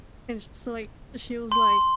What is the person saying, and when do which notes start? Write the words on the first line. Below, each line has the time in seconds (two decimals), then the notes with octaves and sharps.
and s so, like, she was like
1.52 C6